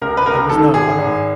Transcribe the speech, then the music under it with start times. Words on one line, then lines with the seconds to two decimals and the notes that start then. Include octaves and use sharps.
There was no alarm.
0.01 C#2 A#4
0.17 B4
0.26 C#2 A#4
0.49 D#3 A4
0.74 G#1 G#4
0.98 G#1